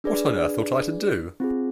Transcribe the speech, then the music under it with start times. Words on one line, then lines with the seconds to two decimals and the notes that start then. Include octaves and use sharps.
What on earth ought I to do?
0.04 D4 G#4 B4 D5
1.40 C4 F4 G#4